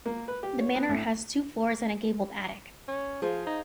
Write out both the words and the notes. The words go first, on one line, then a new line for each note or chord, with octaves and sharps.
The manor has two floors and a gabled attic.
A#3
B4
G4
C#5
B3
A2
C#4
F3 G#4 C5 F5
D#4